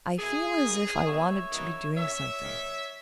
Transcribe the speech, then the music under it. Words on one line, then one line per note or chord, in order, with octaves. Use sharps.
I feel as if I wanted to be doing something.
B2 A#3 E4 G#4
C#3 F#3 A#3 D#4
A#2 F#3 B3 D#4 C#5 E5
F#2 D#3 F#3 B3 D#4
A#2 A#3 C#4 C#5 E5
G#2 D#3 A#3